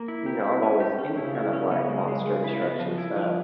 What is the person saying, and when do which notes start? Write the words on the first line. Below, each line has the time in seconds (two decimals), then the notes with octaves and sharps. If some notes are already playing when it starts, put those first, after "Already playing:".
you know, I'm always any kind of, like, monster destruction stuff.
Already playing: A#3
0.08 E4
0.26 G4
0.44 E4
0.63 C#4
0.80 G4
0.99 C#4
1.17 C#3 E4
1.35 E4
1.53 C#4
1.72 B3
1.89 G#3
2.08 G#3
2.25 G#3
2.44 E4
2.62 B3
2.80 F3
2.98 E4
3.16 F3